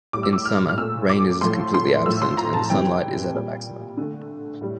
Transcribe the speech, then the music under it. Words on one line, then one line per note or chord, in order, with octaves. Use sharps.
In summer, rain is completely absent and the sunlight is at a maximum.
A2 G3 D6
E6
D6
F6
F6
A#2 A3 E6
D6
A2 F3 A3 C6
C6
A2 F3 A3 E6
C6
A#5
A5
C3 E3 G3 G5
A#2 G3
D3 A3
A2 G3